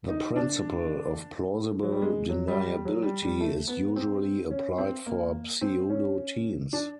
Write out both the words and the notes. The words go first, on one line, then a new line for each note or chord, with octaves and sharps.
The principle of plausible deniability is usually applied for pseudo-teams.
D#4
D4
F#3
G3
G#3
F#3
G3
G3
F#3
G3
G3
A3
B3
C4
C#4
C4
A#3
C4
C#4
D4